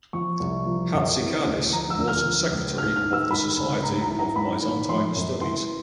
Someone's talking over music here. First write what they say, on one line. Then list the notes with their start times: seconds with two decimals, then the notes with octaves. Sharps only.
Hatzidakis was secretary of the Society of Byzantine Studies.
0.13 F3 C#6
0.40 C2
0.66 F3
0.93 F#2
1.19 E3
1.45 D2
1.72 F3 A#5
1.90 E6
1.98 D2
2.08 F6
2.25 F3
2.51 C#2
2.78 G#2 F6
2.96 F6
3.04 D#3
3.13 E6
3.31 D#3 B5
3.57 C#2
3.83 G#2 A#5
4.01 A#5
4.09 E3
4.19 A#5
4.36 G#2 B5
4.63 D#3
4.89 F3 C6
5.16 F#2
5.41 E3 C6